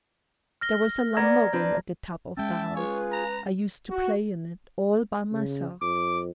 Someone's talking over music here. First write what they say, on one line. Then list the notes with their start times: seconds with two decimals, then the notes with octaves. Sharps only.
There was a lumber-room at the top of the house; I used to play in it, all by myself.
0.61 F6 A#6 G7
1.17 A#3 B3 D5 A#5 G#6 A#6
1.53 C4 D4 B4
2.37 G#3 C#4 E5 G5 A5
2.75 F4 G#4 B4 C#5
3.12 A#5
3.91 F#4
5.33 C#3
5.82 F2 D6